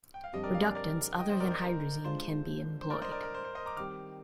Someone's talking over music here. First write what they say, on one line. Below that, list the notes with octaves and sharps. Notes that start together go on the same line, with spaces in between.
Reductants other than hydrazine can be employed.
G5
F5
F2 D3 G3 C4 G4 D#5
A#4 D5
D5 F5
D5 F5
A#4 D5
D#5 G5
C5 D#5
A#4 D5
C5
A#4
D3 G#3 D4 F4 C5
C5
A#4 D5
C5 D#5
A#4 D5
A#4
C5
C5
C5 D#5
A#5 D6
D#3 G3 C4 G4 D6 F6